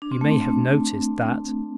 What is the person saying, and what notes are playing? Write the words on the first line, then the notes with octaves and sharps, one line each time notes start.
You may have noticed that.
D4
C4
A3
C4